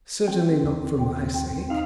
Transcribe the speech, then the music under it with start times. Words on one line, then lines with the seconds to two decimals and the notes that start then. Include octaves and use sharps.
"Certainly not for my sake."
0.28 C4
0.63 D#2
0.99 C4
1.34 C4
1.70 D#4 F5